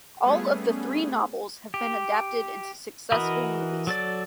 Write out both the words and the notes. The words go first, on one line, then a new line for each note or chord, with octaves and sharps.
All of the three novels have been adapted into successful movies.
G3 A3 B3 C#4 G#4
G4
E3 F#4 A#4 D#5 B5
F#3 A4 D5